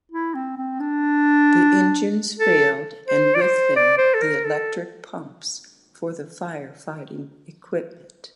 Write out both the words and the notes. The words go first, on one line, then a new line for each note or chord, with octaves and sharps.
The engines failed and with them the electric pumps for the firefighting equipment.
E4
C4
C4
D4
A4
C5
D5
C5
D5
C5
A4
A#4
A4